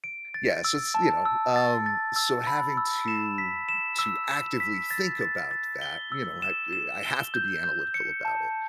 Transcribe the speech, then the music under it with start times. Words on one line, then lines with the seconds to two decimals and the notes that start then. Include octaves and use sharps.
yeah, so it's, you know, um, so having to to actively think about that, you know, I've to I have to be analytical about it,
0.04 D7
0.34 A6
0.64 E6
0.95 A5
1.25 E6
1.56 A6
1.86 A6
2.16 E6
2.47 B5
2.77 E6
3.08 E7
3.38 B6
3.69 E7
3.99 E6
4.29 E7
4.60 B6
4.91 A6
5.21 A6
5.51 A6
5.81 G7
6.12 E6
6.42 E7
6.73 E7
7.03 G7
7.34 G6
7.64 G6
7.94 C#7
8.25 A5